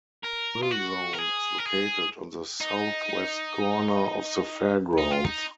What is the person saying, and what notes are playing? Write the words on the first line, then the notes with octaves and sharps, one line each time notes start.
Thrill Zone is located on the southwest corner of the Fairgrounds.
A#4
F4
F#4
A#4
G#4
A#4
G#4
D#4
D#4
F4
D#4